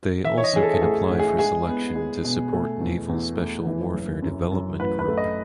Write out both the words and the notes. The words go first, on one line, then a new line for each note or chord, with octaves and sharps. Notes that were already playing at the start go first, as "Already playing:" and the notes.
They also can apply for selection to support Naval Special Warfare Development Group.
E3 E5
C#5
D#5
E3 G#4
A4
A4
A1 G#4
A1
G#4
G#3 G#4
B3
G#3
B2
A3
E2
E2
A3
E3
F#1
F#2
F#2
A1 B4
B4
A3
D#5